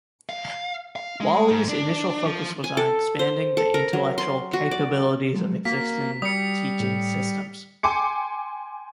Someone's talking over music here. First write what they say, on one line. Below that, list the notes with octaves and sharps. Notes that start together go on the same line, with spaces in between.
Wally's initial focus was on expanding the intellectual capabilities of existing teaching systems.
F5
F5
G#3
G#2
D4
F3
G#5
A4
C5
A4
A#4
F#3
C6
F#4
D5
F3 F#3 G#3
A#3 F#4 B6
G3 D#6 C#7
A2 G4
G5 G#5 C6 D6 C#7